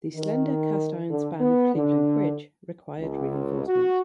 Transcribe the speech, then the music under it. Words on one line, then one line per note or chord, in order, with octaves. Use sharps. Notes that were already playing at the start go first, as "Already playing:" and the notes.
The slender cast iron span of Cleveland Bridge required reinforcement.
D#3
D3
B3
D3
C#2
F#4